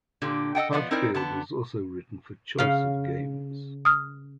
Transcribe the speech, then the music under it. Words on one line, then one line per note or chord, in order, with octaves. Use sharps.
Heartfield has also written for Choice of Games.
A#2 D3 G4
A4 D#5 F#5 G5
F3 B3 D5 F#5
C4 D#4 E4 A#4 C5 D5
D3 B3 A5
C#3 F5
D#6 F6